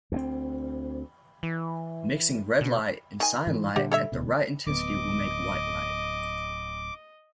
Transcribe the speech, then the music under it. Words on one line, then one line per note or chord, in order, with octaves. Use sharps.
Mixing red light and cyan light at the right intensity will make white light.
D2 A3 C4
E3
B2
D#3 G#5
G#2 E3
A#2 D3 G3 G4 E5 F#5
A4 C#5 E5
D#1 D2 B2
D1 B3 D#5 D6